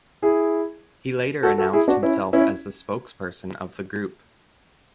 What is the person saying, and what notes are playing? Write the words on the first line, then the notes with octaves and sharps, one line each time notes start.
He later announced himself as the spokesperson of the group.
E4 G#4
F#4 A4
F#4 A4
E4 G#4
D4 F#4
C#4 E4
C#4 E4